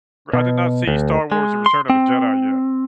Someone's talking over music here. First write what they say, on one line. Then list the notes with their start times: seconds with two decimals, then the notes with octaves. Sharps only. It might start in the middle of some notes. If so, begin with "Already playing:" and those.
R I did not see Star Wars and Return of the Jedi yet,
0.33 B2
0.87 D2
1.32 G#3
1.66 C6
1.90 C4